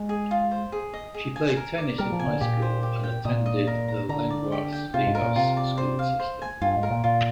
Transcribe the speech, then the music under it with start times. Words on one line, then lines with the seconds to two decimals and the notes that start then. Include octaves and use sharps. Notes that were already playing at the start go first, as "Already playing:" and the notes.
She played tennis in high school and attended the Lenguas Vivas school system.
Already playing: G#3
0.09 G#4
0.31 F4
0.51 C5
0.72 G#4
0.93 D#5
1.14 G#4
1.36 G#5
1.57 A#4
1.78 D5
1.98 G3 A#4
2.12 F3
2.20 G#5
2.27 D3
2.41 A#2 G4
2.62 C5
2.83 G4
3.04 G5
3.25 A#2 D#6
3.46 D#5
3.67 A#4
3.88 A#5
4.09 D3 A#5
4.30 D5
4.52 G4
4.72 G5
4.94 C3 F4
5.07 G#2
5.15 A#4
5.22 A#2
5.36 C3 F4
5.57 D5
5.78 C5
5.99 F5
6.20 C5
6.42 G#5
6.62 G2 F4
6.77 G#2
6.83 A#4
6.91 A#2
7.04 A#2 F4